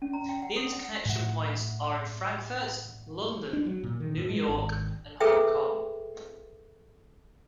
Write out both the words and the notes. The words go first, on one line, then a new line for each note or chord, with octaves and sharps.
The interconnection points are in Frankfurt, London, New York and Hong Kong.
C#4
A#5
G5
F#5
D#6
F#5
A2 F#5
D4
F#3
A#2
D#3
A2
G#3
G#1
G#4 A4 B4 E5 G5